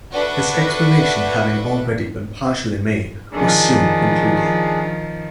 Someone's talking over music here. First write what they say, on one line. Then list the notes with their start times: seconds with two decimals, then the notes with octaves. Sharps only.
His explanation having already been partially made, was soon concluded.
0.12 D4 F#4 A4 B4 E5
3.33 D#3 F3 D4 G#4